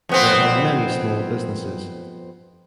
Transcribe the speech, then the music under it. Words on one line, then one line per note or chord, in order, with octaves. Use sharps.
There are many small businesses.
F2 B3 C4